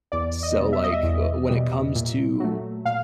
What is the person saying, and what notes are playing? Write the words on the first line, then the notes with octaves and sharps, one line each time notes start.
so, like, uh, when it comes to
E2 D5
D#5
B2 G3
E5
D#5
E5
E2
B2 G3
A#2
F#3 A3
A#2 F5